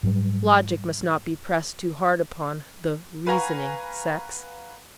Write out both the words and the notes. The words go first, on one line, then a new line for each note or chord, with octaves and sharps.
Logic must not be pressed too hard upon the "reasoning" sex.
G#2 F#3 G3
B4 F5 F#5 G#5 A#5 C#6